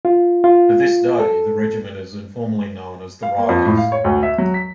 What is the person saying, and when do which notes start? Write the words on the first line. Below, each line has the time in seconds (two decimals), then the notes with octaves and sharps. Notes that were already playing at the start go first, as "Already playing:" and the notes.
To this day, the regiment is informally known as the Rileys.
0.05 F4
0.44 F4
1.20 A4
3.23 F5
3.37 A#3
3.49 F2
3.66 A2
3.77 F5
3.92 C#5
4.04 D2
4.23 E5
4.38 F#3
4.54 B6